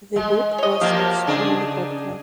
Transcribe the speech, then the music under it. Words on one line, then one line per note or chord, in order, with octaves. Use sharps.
The book was extremely popular.
G#3
C#5 D#5
C3 F3 A#3 G4 A#4 F5
C3 F#3
C#3 D4 D#4 G#4